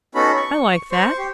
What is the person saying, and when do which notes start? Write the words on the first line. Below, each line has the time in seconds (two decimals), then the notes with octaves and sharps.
I like that.
0.15 B3 C#4 D#4 F#4 A4 B5
0.37 C#6
0.91 C5 C#6
1.18 G4